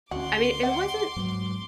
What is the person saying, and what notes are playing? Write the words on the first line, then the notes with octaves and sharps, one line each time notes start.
I mean, it wasn't
D2 C#4 F#4 C6 D6
F#5
G#2 F#3 B3